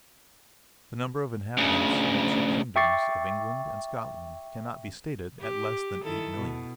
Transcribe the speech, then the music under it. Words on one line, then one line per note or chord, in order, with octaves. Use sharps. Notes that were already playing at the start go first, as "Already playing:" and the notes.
The number of inhabitants in the two kingdoms of England and Scotland cannot be stated at less than eight millions.
D2 C#3
E5 G5 C#6 D6 A6 C7
G4
D#3 E4 A4
B2